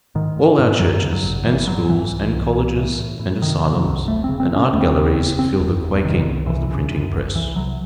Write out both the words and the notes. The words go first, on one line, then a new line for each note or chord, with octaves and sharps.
All our churches, and schools, and colleges, and asylums, and art-galleries feel the quaking of the printing-press.
G#2 D#3
G#2
G#2
F#2 F#3
C#3
F#3
G#1
G#1 E3
G#2 F#3
G#2 E3
C2
C2
C2
A2
A2
A2
C3 D#3
C3
F#3
C2
E1 A3
C#3 C4
C4
C#3 C#4
C4
D#2 A3
C4
C#3
E1
F#1 C4
E2
F#1
C3 D#3
C2
C3 E3
C#3
F#2
G#1
C2 E3
C3 F#3